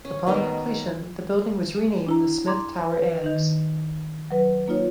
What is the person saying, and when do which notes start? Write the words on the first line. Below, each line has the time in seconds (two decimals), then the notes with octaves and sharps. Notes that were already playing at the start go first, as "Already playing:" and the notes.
Upon completion the building was renamed the Smith Tower Annex.
0.05 C#4
0.27 B2 D#3 A#4 D#5
2.06 D4 E4 A#5
2.47 A#5 C6 D6 G#6
2.91 B4
3.24 D#3 D#4
4.31 F#3 B4
4.68 A#3 D#4 F4 C#5